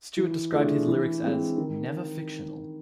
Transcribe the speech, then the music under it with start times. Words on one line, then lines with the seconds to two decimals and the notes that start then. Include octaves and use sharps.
Stewart described his lyrics as "never fictional".
0.17 E3
0.52 A3 D4 F4 G#4
0.88 E3
1.23 G#3 C4
1.58 D#3